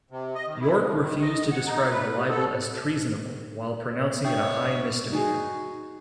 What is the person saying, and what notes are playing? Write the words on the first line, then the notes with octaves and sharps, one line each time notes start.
Yorke refused to describe the libel as treasonable, while pronouncing it a high misdemeanour.
C3
D#5
D#3
E4
F3
D#3
D#5
F#5
D#4
B4
C3
A4
D4 C#5 E5 G5
D#4 F#4 G#4